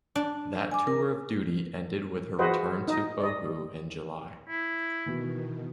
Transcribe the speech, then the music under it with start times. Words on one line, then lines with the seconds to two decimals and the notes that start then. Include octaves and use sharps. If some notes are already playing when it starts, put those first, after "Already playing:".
That tour of duty ended with her return to Oahu in July.
0.16 D4
0.71 G#5 D6
0.87 A#4
2.38 F4 F#4 G#4 B4 C5 D#5
2.88 D#4 D#5
3.20 D5 D#5
4.49 E4
5.06 B2 D#3 E3 B3 F#4